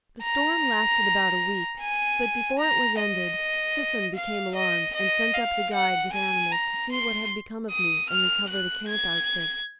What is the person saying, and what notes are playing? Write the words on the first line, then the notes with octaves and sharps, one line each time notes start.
The storm lasted about a week, but before it was ended Sisson became alarmed and sent up the guide with animals to see what had become of me and recover the camp outfit.
A#5
G#5
A#5
D#5
F5
D#5
D#5
F5
F#5
G#5
A#5
C6
D#6
F6
F#6
G#6